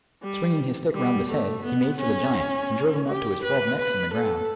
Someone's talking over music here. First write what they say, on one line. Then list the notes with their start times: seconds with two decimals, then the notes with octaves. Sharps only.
And swinging his stick round his head, he made for the giant, and drove him up to his twelve necks in the ground.
0.23 G3
0.94 G3
1.29 A3
1.65 B3
2.00 C#4
3.07 G4
3.43 B4
3.78 B4
4.13 A4